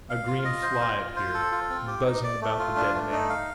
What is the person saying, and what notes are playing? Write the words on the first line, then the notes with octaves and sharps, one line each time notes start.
A green fly appeared, buzzing about the dead man.
F5
F4
D#5
C5
F4
F4
C5
A4
F4
C4
G4
D#4
D5
A3
F4
D4
A3
D#4
F5